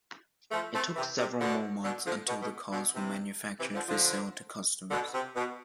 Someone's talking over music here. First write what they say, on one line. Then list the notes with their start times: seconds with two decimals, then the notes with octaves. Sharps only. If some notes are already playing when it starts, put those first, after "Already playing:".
It took several more months until the cars were manufactured for sale to customers.
0.52 F3 A3
0.74 A3 C4
0.96 C3 E3
1.18 C3
1.39 B2 D3
1.83 B2 D3
2.05 D3 F3
2.27 B2
2.42 B2
2.71 B2 D3
2.94 C3 E3
3.59 C3 E3
3.74 D3 F3
3.88 D3 F3
4.91 B2 D3
5.13 C3
5.36 B2